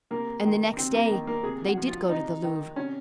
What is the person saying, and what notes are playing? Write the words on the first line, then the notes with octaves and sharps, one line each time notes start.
And the next day they did go to the Louvre.
C3 A#3
D#3
C3 C4
A#3
D#3
A#3
C3 G#4
F#4
F3
F4
C3 D#4
D#3
C3 C#4